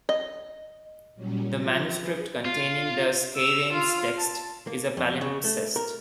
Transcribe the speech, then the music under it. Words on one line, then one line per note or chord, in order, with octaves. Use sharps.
The manuscript containing the Skeireins text is a palimpsest.
D#5
A#2 F#3 G3 C#4
F3 A6 A#6
G#4 B4
F4
E6 F7
F4 F5
A5
A#3
F2
C#3
A3
A#4